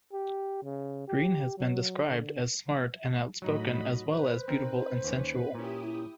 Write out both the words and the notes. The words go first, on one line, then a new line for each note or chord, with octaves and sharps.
Greene has been described as smart and outspoken as well as beautiful and sensual.
G4
C#3
G4
F#3
D3
A2 F#3 D#4 F#4 D#5 B5
B4 C5
C4 D#4 A#4
D#2 C#4
A#2 C#4 E4 G4 D#6